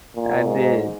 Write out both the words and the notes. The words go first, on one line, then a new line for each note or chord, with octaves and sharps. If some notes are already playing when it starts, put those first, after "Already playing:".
I did.
A#2
G#2